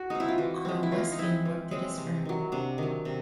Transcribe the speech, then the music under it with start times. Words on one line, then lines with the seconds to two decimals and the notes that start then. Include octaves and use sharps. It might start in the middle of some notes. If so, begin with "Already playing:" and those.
Carl Westman worked at his firm.
Already playing: F#4
0.10 G#3 C4 D#4
0.20 E4
0.28 F4
0.38 E3 F#4
0.65 G#3 C4
0.83 E4
0.92 E3 F4
1.12 D#4
1.18 G#3 C4 E4
1.45 E3
1.71 G#3 C4
1.98 C3
2.25 D#3 F#3
2.52 C3 D4
2.78 D#3 F#3
3.05 C3